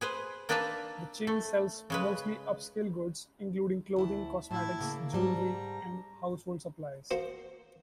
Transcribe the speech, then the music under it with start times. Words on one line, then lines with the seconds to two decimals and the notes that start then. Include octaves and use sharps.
The chain sells mostly upscale goods, including clothing, cosmetics, jewelry and household supplies.
0.01 G#4 B4 C5
0.49 A#3 D4 D#4 B4 E5 A5
1.27 A3
1.90 C#3 G#3 B4
3.96 D2 E4 A5
4.51 A2 E4 A5
4.79 A2 C#3 A#3
5.13 G#2 G3 A5 A#5
7.11 A#3 F#4 C5